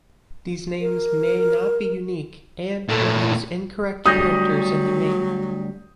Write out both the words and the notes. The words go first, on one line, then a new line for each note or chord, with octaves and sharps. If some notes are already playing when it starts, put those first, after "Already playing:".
These names may not be unique and may use incorrect characters in their name.
A#4
A#2 A3
D2 F#3 G3 D#6 G6 A#6